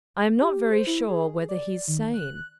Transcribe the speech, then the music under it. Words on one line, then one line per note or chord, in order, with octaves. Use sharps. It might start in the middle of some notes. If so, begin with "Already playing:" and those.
"I am not very sure whether he's sane."
G4
C5
E4
G#4
D5
D#3
F#6